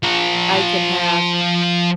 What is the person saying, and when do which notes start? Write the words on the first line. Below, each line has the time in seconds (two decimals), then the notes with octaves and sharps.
I can have
0.03 F3 A#5